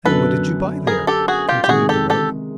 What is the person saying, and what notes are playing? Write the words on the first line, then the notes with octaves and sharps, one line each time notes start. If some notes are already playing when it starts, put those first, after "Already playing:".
'And what did you buy there?' continued the rogue.
F#2 D3 F#3 B3 A4 B4
G#4 A#4
G4 A4
F#4 G#4
F4 G4
G4
C3 D#3 G#3 F#4 G#4
G4 A4
G4 A4